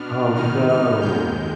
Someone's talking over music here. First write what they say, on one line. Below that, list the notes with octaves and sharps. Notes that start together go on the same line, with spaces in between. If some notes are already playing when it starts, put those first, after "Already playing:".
Oh, no.
Already playing: B2 B3 D4 F6
G#2 D#3 B3 D#4 F6
F6
D#2 D#3 G#3 G6